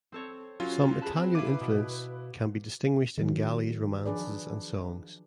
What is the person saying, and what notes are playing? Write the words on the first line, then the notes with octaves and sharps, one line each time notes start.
Some Italian influence can be distinguished in Galli’s romances and songs.
C4 A4 C#5
F#3 C#4 F4 G4
G#4 A5 B5 F#6
C4 B4
E4 F5 D6 D#7
B2
D#3 F#3
F3 D4 G#4 B4 D5